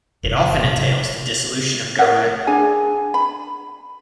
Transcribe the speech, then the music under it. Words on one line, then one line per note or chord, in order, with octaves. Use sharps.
It often entails the dissolution of government.
F1 F4
D#3
B2 E3
C3 F#3
A#4 C#5 E5 F#5
D4 G#4 G#5
B5